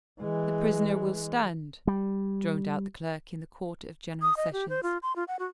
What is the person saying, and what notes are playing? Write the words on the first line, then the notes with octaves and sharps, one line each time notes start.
"The prisoner will stand," droned out the clerk in the Court of General Sessions.
E3 G#3
G3
D#6
D#5
G4
C5
F4
C6
F4
F#5
F#4